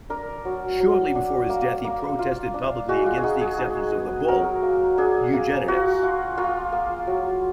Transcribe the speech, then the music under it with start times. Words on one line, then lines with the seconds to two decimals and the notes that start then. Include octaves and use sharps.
Shortly before his death he protested publicly against the acceptance of the bull "Unigenitus".
0.10 D4 A#4
0.45 F#3
0.80 F#3
1.15 D4
1.49 A#3
1.84 A#3
2.19 F4
2.54 D4
2.88 G#3 F#4
3.06 F4
3.18 G#4
3.24 D#4 F#4
3.41 G#4
3.58 D#4
3.93 B3
4.28 F#3 A#4
4.63 A#3
4.98 D4 G#4
5.33 A#3
5.68 F4 F#4
6.03 F4
6.38 A#3 F4
6.72 A#3
7.07 F#3